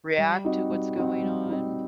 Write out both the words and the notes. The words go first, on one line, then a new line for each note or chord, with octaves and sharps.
react to what's going on?
G3
C4 D#4 F#4
G3
C4 D#4 F#4
G3
C4 D#4 F#4